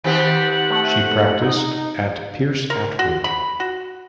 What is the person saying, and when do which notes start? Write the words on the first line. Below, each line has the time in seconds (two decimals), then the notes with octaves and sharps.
She practiced at Pierce Atwood.
0.04 D#3 C4 G4 F#5
0.70 A3
1.41 D#4
2.70 A#4
2.99 F#4
3.24 B5
3.60 F#4